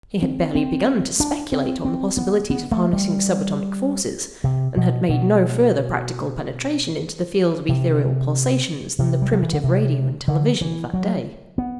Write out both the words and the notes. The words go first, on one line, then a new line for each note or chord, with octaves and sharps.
He had barely begun to speculate on the possibilities of harnessing sub-atomic forces, and had made no further practical penetration into the field of ethereal pulsations than the primitive radio and television of that day.
C4
C4
D4
C4
C4
B3
B3
A3
G3
C3
B2
B2
C3
C3
G3
F#3
E3
D3
C3
D3
E3
F#3
B3